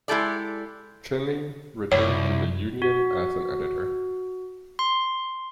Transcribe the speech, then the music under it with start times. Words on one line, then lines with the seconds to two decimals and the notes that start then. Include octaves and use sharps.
Cheney returned to the "Union" as an editor.
0.08 G#3 E4 G4 A4 D5
1.92 C2 F#2 C#5
2.82 F#4
4.79 C6